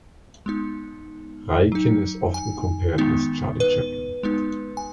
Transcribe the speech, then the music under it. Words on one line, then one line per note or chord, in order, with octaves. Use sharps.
Raikin is often compared with Charlie Chaplin.
G#3 B3 D#4
F#3 D#4
G#5
D#3 G#3 B3 D#4
B4
G#3 B3 D#4
G#5